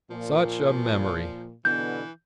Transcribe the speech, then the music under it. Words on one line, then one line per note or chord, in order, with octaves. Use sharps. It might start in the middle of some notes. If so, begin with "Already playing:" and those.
Such a memory!
A#2 F3
B2 D3 E3 B3 G6